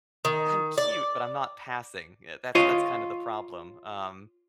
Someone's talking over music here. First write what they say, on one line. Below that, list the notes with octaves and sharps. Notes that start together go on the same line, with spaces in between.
I'm cute, but I'm not passing. Eh, that's that's kind of the problem. Um,
D#3
D5
F4 C#5 D#5